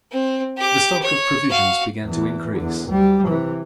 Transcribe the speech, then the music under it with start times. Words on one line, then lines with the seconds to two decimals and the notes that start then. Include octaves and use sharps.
The stock of provisions began to increase.
0.12 C4
0.57 G4 D6
1.02 C#5
1.50 F#4 F5
2.04 E2 E3
2.57 E2 D3
2.88 D2 G3
3.26 C3 E3